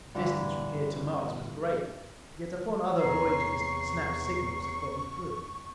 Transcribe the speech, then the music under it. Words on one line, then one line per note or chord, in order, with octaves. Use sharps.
The distance from here to Mars was great; yet upon other voyages Snap's signals had gotten through.
G2 D3 E3
E2 C3 C#5 A#5 C#6 C7